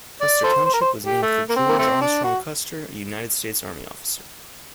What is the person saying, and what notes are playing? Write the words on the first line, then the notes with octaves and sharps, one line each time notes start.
Custer Township was named for George Armstrong Custer, a United States Army officer.
D5
A4 C5
C5
A#4
C5
G4
A3
A#3
C4
A#3
A3 C4
D4
F#4